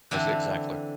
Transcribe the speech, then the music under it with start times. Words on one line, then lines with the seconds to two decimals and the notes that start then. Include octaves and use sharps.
Ex exactly.
0.11 D3 E3 C4 D4